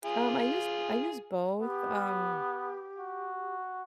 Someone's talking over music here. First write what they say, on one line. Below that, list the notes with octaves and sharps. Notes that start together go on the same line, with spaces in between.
Um, I use b I use both, um,
F4 G#4
B3 G4
F#4